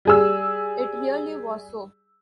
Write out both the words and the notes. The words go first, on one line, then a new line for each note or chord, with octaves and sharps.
It really was so.
G3 G#4 E6